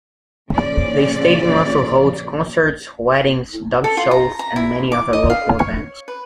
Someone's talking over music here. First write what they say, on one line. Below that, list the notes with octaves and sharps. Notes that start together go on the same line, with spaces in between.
The stadium also hosts concerts, weddings, dog shows, and many other local events.
A#2 C#3 F3 C#4 D5
A4
F4
A#5
A#5
E4
D6
D#5
F5
C#5
B4